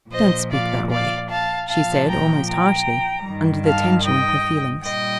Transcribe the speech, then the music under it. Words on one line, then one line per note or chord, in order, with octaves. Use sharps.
"Don't speak that way," she said, almost harshly, under the tension of her feelings.
A#2 F3 C5 D#5
D5 F5
D5 F5
F5 A5
A#2 F3 F5 A5
G5 A#5
G5 A#5
G2 D#3 G3
F5 A5
D#5 G5
A#2 G3 D#5 G5